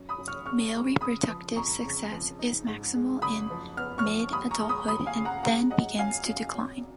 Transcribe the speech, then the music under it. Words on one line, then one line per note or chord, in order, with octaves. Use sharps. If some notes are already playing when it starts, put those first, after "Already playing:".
Male reproductive success is maximal in mid-adulthood and then begins to decline.
Already playing: F#2 C#4
B5 D#6
F#2
C#6 F6
C#3 C#6 F6
G#3
C#3 B5 D#6
F3
F2 A#5 C#6
C#3
F3
D#4
G#2
G#3
F#1 B5 D#6
F3
B3 F6
C#6 F6
F3
D#2 B5 D#6
A#5 C#6
G#3
B5 D#6
D#2 B5 D#6
F5 G#5
C#3
F#5 A#5
G#3 F#5 A#5
F#2 D#5 F#5
F#2 F5 G#5
F#2
G#1